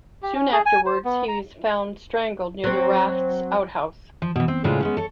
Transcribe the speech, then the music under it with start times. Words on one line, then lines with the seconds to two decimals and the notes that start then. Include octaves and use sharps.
Soon afterwards he is found strangled near the raft's outhouse.
0.22 G4
0.34 C#4
0.52 G#4
0.66 G#5
0.86 C5
1.05 B3
1.28 A#5
2.64 F#3 C4
4.22 F3
4.36 B2 E3
4.48 C4
4.64 A2 C#3 G#3 D4 F4 C5
4.80 G#3 B3 C#4
4.97 A4 C#5